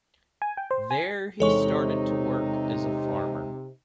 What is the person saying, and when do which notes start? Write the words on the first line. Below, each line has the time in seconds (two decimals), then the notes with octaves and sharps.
There he started to work as a farmer.
0.42 G#5
0.57 G5
0.71 C5
0.91 G#5
1.40 E2 C3 G#3 D#4 A4 C#5 C#6